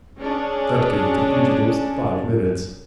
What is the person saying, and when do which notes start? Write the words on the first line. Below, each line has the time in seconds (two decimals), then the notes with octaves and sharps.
That gave the fugitives five minutes.
0.19 C#4 D4 G#4